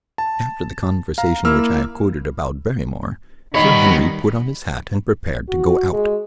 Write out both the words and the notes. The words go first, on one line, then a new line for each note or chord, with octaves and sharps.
After the conversation which I have quoted about Barrymore, Sir Henry put on his hat and prepared to go out.
A5
F5 A#5
A#3 E4 E6 F6
D#3 G3 B3 D#4 C#5 D#5 B5 C7
F#4
G#3